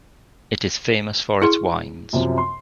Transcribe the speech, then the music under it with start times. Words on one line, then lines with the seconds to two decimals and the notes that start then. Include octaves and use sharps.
It is famous for its wines.
1.42 E4 G#4 C6
2.13 F#2 C3 F3
2.38 C6